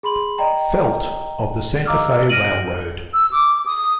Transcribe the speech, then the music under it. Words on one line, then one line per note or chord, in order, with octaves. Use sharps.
Felt of the Santa Fe Railroad.
G#4 B5 C6 F#7
D5 D#5 G5 A#5
D#5 F5 A#5 D6 E6 F6
F6 A#6 D7 D#7 F#7
E6
D6
D#6